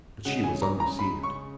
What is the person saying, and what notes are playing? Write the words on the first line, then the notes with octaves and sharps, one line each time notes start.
But she was undeceived.
C#3 G#3 F#5
G#5
A#5
A#5
B5
C#6